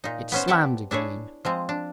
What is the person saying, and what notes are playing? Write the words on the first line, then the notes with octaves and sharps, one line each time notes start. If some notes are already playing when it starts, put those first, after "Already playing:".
It slammed again.
A#2 D#4
B3 C#4 C5
G4 D5 E5 F#5 G5 A5
D4 E4 G#4 C#5
F3 G#3 C4
D4